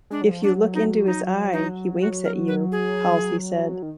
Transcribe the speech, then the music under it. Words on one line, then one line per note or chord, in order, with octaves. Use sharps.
If you look into his eye, he winks at you, Halsey said.
G#3 D4
F#3
F3
F#3 D4
D#4
D#4
D#4
F#4
A#4
B4
G#4
D#3